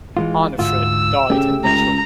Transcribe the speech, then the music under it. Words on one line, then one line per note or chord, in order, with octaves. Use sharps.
Arnefrit died in battle.
E3 G#3 F4
D2 G#2 F4 E6
C#3 A3 G4
C#2 A#5